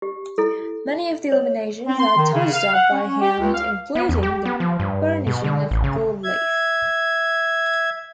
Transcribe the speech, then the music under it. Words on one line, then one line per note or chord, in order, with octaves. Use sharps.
Many of the illuminations are touched-up by hand, including the burnishing of gold leaf.
G4
E4 A4
C#5
C4
C6
D#3
C#3
F5
F#5
C#4
G4
C#2
F5
B3
E2
G4
B3
F3
G2
B2
D3
A1
C#3
E5 G#6